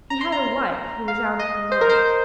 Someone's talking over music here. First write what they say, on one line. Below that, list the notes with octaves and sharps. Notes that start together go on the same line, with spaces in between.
He had a wife who was out of her mind.
A#5
C6
A#5
F5
D#5
C5
A#4
C5